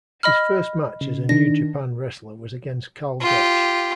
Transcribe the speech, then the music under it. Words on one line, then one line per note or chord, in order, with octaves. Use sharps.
His first match as a New Japan wrestler was against Karl Gotch.
D#5 B5 F6
C#3
D#3 D4 A#6
F4 G4